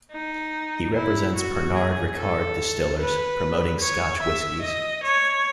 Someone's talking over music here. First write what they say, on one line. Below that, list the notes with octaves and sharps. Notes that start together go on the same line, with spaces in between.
He represents Pernod Ricard distillers, promoting Scotch whiskies.
D#4
E4
F#4
G#4
A4
B4
C#5
E5
D#5
C#5